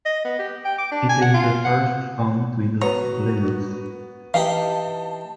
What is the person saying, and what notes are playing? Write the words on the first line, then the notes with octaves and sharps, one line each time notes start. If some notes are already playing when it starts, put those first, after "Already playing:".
It is the first phone to use Linux.
D#5
B3
G4
G5
D6
D4
G#5
F#5
F4
F#5
B3 F#4 C#5 A#5
E3 D#4 G4 F5 A5